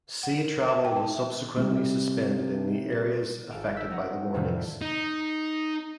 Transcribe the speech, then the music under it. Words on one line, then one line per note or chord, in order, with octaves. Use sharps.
Sea travel was subsequently suspended in the areas affected by the warnings.
F#5
A#4
A#4
E5
G5
A5
E5
C3 G3
G#1 F4 A4 F5 D7
E6 F#6 G6 B6
F#3 C4 D#4 F#4 D#5 F#5
F2 A2 C3 D#3 E3 G3
D#4